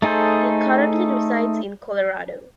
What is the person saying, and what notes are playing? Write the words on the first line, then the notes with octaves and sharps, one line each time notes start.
He currently resides in Colorado.
A3 D#4 G#4 A4 C5